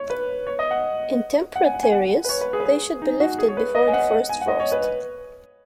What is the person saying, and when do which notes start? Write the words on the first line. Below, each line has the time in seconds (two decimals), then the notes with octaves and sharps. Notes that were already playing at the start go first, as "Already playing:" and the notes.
In temperate areas, they should be lifted before the first frost.
Already playing: C#5
0.10 B4
0.47 C#5
0.59 D#5
0.71 F#5
1.56 F#5
1.65 G#5
1.74 F#5
1.83 G#5
1.92 F#5
2.24 B4
2.29 C#5
2.41 B4
2.53 G#4
2.60 B4
2.65 G#4
3.02 D#4
3.20 F#4
3.39 G#4
3.48 C#5
3.57 B4
3.75 D#5
3.88 G#5
3.93 F#5
4.11 F#5
4.29 G#5
4.41 F#5
4.48 D#5
4.60 C#5
4.72 B4